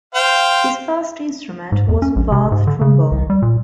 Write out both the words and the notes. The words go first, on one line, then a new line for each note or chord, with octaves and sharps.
His first instrument was valve trombone.
C5 F5 G5
G#2
E2
C#4
A#1
C3
G#2
D3
C#3
C2
G3
A#2